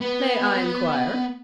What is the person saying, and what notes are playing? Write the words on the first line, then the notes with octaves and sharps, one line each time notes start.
May I inquire?'
B3